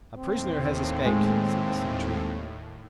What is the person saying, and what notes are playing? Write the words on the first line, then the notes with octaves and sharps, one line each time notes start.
"A prisoner has escaped," said the sentry.
D#2 A2 C4
G#3